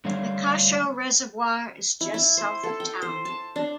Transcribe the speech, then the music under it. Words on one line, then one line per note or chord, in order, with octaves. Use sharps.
Picacho Reservoir is just south of town.
D3 G3 A3 D4 C#5 F5
E4
E4
C5
A4
G5
C5
A5
D4